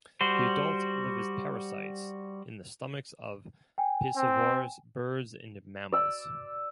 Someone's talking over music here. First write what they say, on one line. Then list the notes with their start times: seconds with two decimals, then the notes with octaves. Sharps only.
The adults live as parasites in the stomachs of piscivorous birds and mammals.
0.21 G3 F#4 C5
3.78 G5 G#5
4.17 C4
5.92 D5 E6